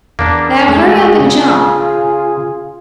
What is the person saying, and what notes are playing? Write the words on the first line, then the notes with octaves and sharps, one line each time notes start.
Now, hurry up and jump.
E2 A#3 D4
G#3 A3 G#4
C#3 F4